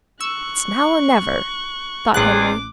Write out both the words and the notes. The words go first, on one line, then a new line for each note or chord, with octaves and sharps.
"It's now or never," thought Henry.
C#6 E6 F#6
A1 E2 C4 G#4 D6 F#6